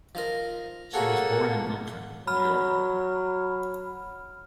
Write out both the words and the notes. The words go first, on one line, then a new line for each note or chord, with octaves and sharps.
She was born in Brooklyn, New York.
F3 D#4 A#4
A#3 F#4 G#4 A4 C#5 F#5
F#3 B5 F6